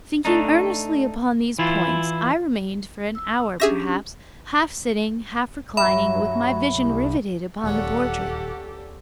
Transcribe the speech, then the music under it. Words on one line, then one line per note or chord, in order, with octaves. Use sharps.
Thinking earnestly upon these points, I remained, for an hour perhaps, half sitting, half reclining, with my vision riveted upon the portrait.
A3 D4 D#4
E3 E4 F4
E6
C#4 D4 G4 G#4 E5 A#6
G2 F#3 E5 B5
C2
D#1 D2 A#2 C#4 G4 A4 F#5